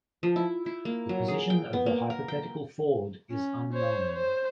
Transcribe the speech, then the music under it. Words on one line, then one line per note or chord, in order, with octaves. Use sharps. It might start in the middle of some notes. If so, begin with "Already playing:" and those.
The position of the hypothetical ford is unknown.
F3
E4
E4
A#3
F#3
G#4
G5
B3
A#3
A#4
G5
C#4
C5 C#5
C5